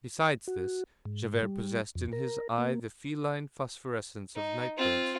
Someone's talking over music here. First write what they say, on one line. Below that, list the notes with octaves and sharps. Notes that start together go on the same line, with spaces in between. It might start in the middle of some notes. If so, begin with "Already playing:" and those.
Besides this, Javert possessed in his eye the feline phosphorescence of night birds.
F#4
G#2
G3
F2
A#4
A#3
D#4
C4 F4